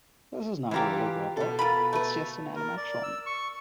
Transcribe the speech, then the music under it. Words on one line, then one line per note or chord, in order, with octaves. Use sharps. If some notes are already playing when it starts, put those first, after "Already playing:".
This is not a real robot, it's just an animatron.
E3 G3 F4 G4 A#5
B2 A4
F4 A#4 B5
A3 B4
A#4
D5
E6
C#6